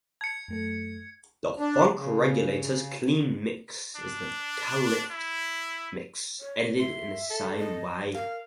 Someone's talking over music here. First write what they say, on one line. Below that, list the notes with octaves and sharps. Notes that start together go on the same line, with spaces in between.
"The Funk Regulators Clean Mix" is the "Kaliphz Mix" edited in the same way.
A5 G#6 C#7
F#2 A3 A4
D4
C#3
D4
E4
C#5
E5 C6
A4
D#5
A#4 F5